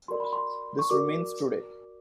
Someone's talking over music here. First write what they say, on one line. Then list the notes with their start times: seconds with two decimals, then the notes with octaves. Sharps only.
This remains today.
0.08 F#4 A#4 D5 C6
0.20 B5
0.33 C6
0.79 C#6
0.90 F#4 A#4 D5 D6